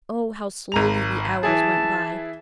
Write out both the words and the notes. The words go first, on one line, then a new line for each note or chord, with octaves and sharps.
Oh, how slowly the hours went by!
G#1 A#5 F7
E3 E4 G#4 A5